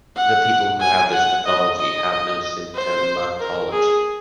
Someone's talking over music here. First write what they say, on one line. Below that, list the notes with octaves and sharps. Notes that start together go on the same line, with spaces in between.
People who have this pathology have no symptomatology.
F#5
G#5
F#5
D#5
D#5
C5
A#4
G#4